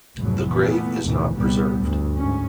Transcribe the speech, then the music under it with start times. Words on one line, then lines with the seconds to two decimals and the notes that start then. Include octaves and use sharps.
The grave is not preserved.
0.19 F1 B1 G#2 B2 F#3
0.49 A#2 E3 A3 B3
1.03 D2 G#2 B2 D#3 E3
1.34 C2 A#2 G3 B3
1.77 D2 G2
2.16 G#2 C#4